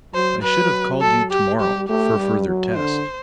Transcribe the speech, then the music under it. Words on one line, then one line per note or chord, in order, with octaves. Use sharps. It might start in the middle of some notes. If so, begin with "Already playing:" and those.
I should have called you to-morrow, for further test.
F#3 C5
F#3 B4
A4
G4
G3 G4
A3 G4
G3
F#3
D3 C5